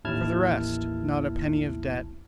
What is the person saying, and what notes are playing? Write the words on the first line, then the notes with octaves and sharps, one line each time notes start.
For the rest, not a penny of debt.
A1 D#2 E4 A5 F6 G#6